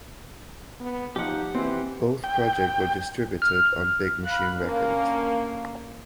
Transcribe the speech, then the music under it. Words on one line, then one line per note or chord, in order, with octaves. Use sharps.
Both projects were distributed on Big Machine Records.
B3
F3 D#4 G4 F#5
E3 C4
G5
F6
F5 B5 F#6
D3 A#3 C#4